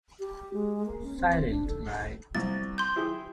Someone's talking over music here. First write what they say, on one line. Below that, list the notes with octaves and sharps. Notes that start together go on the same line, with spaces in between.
Silent Night.
G4
G#3
A#3
C#4
C4
D4
A4
C2 A6
C6 G6
E4 G4 G#4